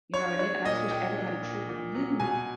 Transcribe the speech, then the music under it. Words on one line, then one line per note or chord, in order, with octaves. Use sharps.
You know what I mean? And I just wish everybody truly knew
D4 C#5
D4 C#5
A#2 D#5
D4 G5
D4
A#2
A#2
F#3
B2 G#5